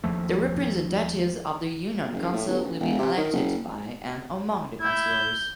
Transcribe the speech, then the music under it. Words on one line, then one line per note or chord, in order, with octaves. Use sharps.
The representatives of the Union Council will be elected by and among the Councillors.
D#2 F3 A3
F#1
A2
G1
A1
E1
C3
D#3
F#1
E4 G6